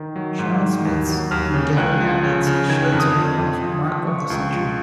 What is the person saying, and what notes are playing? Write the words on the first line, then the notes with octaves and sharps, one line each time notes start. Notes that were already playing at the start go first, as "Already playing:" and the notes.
Shaun Smith's and Gary Ablett's shared title of "Mark of the Century".
Already playing: D#3
F#3
G#2
D#3
D#2
F#3
D#2 F6
C#3
C#2 F#6
F3
C#3
C#3
D#3 G#6
F#6
F2
D#6
F2
F2
F3
F3
F3 C#6
C#2
F3